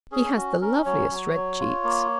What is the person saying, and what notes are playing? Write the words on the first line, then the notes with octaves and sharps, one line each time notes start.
He has the loveliest red cheeks.
C#4 G#4
C#4 F#4
C#4 A#4
F#3 C#5
F#3
F#3
F4
A#3